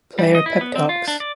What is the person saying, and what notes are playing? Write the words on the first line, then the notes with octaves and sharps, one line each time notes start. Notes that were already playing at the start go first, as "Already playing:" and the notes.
Player pep talks.
G3
D#5
E4
B3
C4
F4
D4
D5